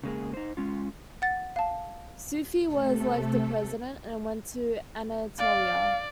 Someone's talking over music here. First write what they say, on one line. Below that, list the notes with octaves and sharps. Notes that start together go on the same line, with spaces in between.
Suphi was elected President and went to Anatolia.
C#3 G#3 A#3 G#4
D#4 C5
G#3 C#4 F4
F#5 A6
F5 A5
C3 A3 A4
D5 F5